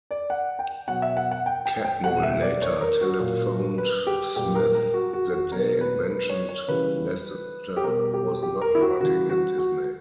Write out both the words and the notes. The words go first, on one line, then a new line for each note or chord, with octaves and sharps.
Catmull later telephoned Smith that day and mentioned Lasseter was not working at Disney.
D5
F#5
G5
B2 F#3 F#5
E5
F#5
F#5
G5
G5
G5
B2 G3 F#5
E5
D5
C#5
A#4
F#4
A#2 F#3
B4
G4
A#2 G3 G4
A#4
A#4
F#4
F#4
F#4
B2 F#3 A#4
B4
B4
C#5
C#5
C#3 E3 G3 B4
G4
B2 G3 A#4
G4
G4
A#4
E4
F#4
C#3 E3 G3 F#4
F#4
F#4